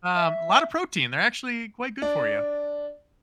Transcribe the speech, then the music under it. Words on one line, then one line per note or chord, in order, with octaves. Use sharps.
um, a lotta of protein, they're actually quite good for you.
E5
D4